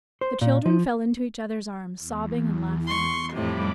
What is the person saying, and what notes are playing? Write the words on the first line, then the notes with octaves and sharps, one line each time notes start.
The children fell into each other's arms, sobbing and laughing.
C5
A#2
F3
E2
C6 C#6
F2 A2 C3 G3 B5 D6